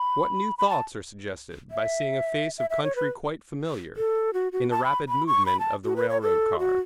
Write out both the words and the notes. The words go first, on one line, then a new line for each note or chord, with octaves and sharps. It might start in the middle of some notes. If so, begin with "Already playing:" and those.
What new thoughts are suggested by seeing a face of country quite familiar, in the rapid movement of the rail-road car!
Already playing: B5
B5
A5
E5
E5
E5
C#5
B4
A4
F#4
F#4
A5
B5
B5
C#6
B5
A5
F#4
B4
C#5
A4
F#4